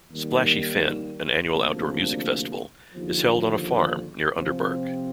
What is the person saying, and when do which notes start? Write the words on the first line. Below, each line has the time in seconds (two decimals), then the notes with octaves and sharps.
Splashy Fen, an annual outdoor music festival, is held on a farm near Underberg.
0.10 D#2 D#3 G3 A#3
1.52 D2 C3 F3 A#3 D4
2.95 D#2 D3 F3
4.36 C3 F3 C4